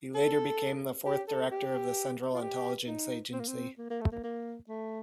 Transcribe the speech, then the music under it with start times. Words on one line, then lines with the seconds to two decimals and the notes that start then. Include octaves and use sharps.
He later became the fourth Director of the Central Intelligence Agency.
0.15 A4
1.06 G4
1.28 A4
1.51 G4
2.34 F4
2.42 G4
2.87 D#4
3.32 C4
3.40 A#3
3.48 C4
3.78 A#3
3.90 A#3
4.01 A3
4.12 A#3
4.24 A#3
4.69 A3